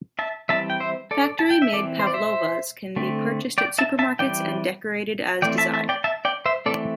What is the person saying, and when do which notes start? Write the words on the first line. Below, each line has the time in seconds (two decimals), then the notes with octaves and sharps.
Factory-made pavlovas can be purchased at supermarkets and decorated as desired.
0.19 E5 A5
0.49 E3 G3 C4 E5 A5
0.70 G5
0.80 C5 E5
1.11 A4 D5
1.39 A5
1.50 G5
1.62 E5
1.72 E3 C4 A4 D5
1.99 C5
2.07 D5
2.14 C5 E5
2.96 D3 A3 C4
3.58 D5 G5
3.78 E5 A5
3.99 E5 A5
4.19 E3 G3 C4 D5 G5
5.42 E3 A3 C4 D5 G5
5.58 E5 A5
5.74 E5 A5
5.89 D5 G5
6.04 E5 A5
6.25 D5 G5
6.46 C5 E5
6.66 E3 A3 C4 A4 D5